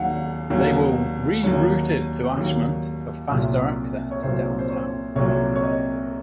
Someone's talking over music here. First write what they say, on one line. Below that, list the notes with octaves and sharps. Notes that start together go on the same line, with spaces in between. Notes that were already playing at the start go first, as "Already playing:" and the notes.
They were rerouted to Ashmont for faster access to downtown.
Already playing: D#2 D#3 F#3 F5 F#5
D#2 D#3 F#3
D#2 D#3 F#3
D#2 D#3 F#3
C2 A#2 F#3
C#5
C2 A#2 F#3 C5
C5
C#5
C2 A#2 F#3 C#5
C#5
D#5